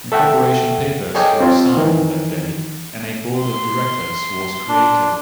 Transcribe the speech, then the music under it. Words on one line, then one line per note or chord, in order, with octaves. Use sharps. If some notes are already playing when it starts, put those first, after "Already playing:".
Incorporation papers were signed on that day and a board of directors was created.
A4 E5 F#5 G5
G#4 A4 C#5 D#5 G5 D6
C4 F4
D#3 E3
C6
D4